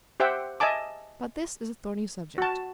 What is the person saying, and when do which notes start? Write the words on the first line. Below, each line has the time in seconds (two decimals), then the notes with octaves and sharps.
But this is a thorny subject.
0.20 G4 C5 E5 F#5 G5
0.60 D#5 E5 G#5 A5 D6
2.38 F#4 A5